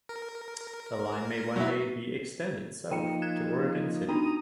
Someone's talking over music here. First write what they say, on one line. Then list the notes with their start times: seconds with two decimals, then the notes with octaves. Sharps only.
The line may one day be extended south to Oregon City.
0.09 A#4
1.56 F#3 E4
2.91 F3 A#3 D#4 G5 C#7
3.22 F#6 G#6 E7
4.08 B3 D4 D#4 A#5 D#6